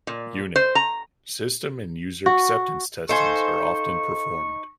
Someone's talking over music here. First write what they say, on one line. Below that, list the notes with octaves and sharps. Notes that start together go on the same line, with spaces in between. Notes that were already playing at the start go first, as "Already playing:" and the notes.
Unit, system and user acceptance testings are often performed.
A#2
C5
A#5
F#4
D#4 A4 C5 F5 G#5 C#6